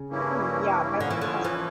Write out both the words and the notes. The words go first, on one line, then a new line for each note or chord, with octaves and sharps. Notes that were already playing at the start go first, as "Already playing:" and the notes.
"Ooh, yeah, that's the muscle."
Already playing: C#3
G2 E3 A#3 C#4 E4
A#2 D3 F3 C#4 E4
E3
D3
E3